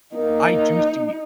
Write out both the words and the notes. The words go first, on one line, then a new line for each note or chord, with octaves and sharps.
I do see
A#3 D#4